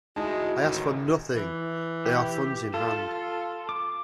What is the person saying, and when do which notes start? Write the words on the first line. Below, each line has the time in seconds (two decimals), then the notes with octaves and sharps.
I ask for nothing; there are funds in hand.
0.16 D2 G#3 D#4 E4 F#4 D#5 A5
0.63 A1 D2 G#2 D#3
1.36 E3
2.06 G4
2.74 F4 A4
3.69 D6